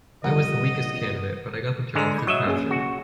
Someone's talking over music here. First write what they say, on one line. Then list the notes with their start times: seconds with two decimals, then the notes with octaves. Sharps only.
I was the weakest candidate, but I got the job through passion.
0.24 G1 F3 G3 A#4 D#5 F#5
0.80 A#1
1.95 D3 G#3 A5 A#5 C6
2.14 B5 G6 G#6
2.27 F#3 D#5 E5 C#6 F#6
2.45 A#3 C#4 G#4
2.71 F#4